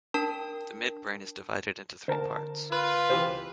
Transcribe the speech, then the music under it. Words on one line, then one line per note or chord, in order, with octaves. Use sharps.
The midbrain is divided into three parts.
D4 A#4 A5
D3 A#4 C5 A5
F4 B4
C#2 E3 G4 C5